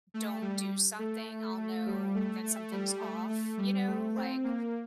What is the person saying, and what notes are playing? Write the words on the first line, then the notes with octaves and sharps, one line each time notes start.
don't do something, I'll know that something's off, you know? Like,
A3
G3
A3
A3
G3
A3
A3
G3
A3
A3
G3
A3
C4
A#3